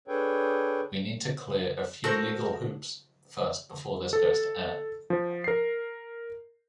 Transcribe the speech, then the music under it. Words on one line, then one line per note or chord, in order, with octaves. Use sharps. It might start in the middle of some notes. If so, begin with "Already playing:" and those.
We need to clear a few legal hoops first before this goes to air.
D4 G#4 A4 B4 C#5 G5
F#4 A4 A#4 C5
A4
F3
A#4 C7